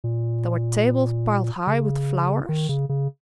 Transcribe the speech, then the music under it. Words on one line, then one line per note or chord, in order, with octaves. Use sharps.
There were tables piled high with flowers.
A#2
C#3
D#3
C#3
C#3